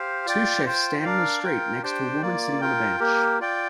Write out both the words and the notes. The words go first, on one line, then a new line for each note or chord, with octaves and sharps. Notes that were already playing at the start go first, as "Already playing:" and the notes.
Two chefs stand on a street next to a woman sitting on a bench.
Already playing: G4 C5 F5
F4 D5 G5
F4 C5 G5
D4 A#4 D5 F5
F4 A#4 G5
D4 G4 C5 G5
A#3 F4 D5
F4 A#4 G5
A#3 G4 A#4
F4 D5 G5